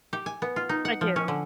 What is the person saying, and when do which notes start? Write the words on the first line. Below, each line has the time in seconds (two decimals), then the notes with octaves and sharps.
I do.
0.13 G4
0.26 G#5
0.42 B3
0.56 F4
0.69 D#4
0.85 F#5
1.01 F3
1.16 C#4
1.28 D3